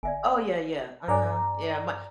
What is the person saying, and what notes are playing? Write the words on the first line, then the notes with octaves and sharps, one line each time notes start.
Oh yeah, yeah, uh-huh. Yeah, my
G1 D5 E5 G#5
G2 A4 D5 G5 G#5 A#5